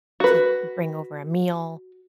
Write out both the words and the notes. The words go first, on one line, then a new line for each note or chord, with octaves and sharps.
to bring over a meal,
F#4 B4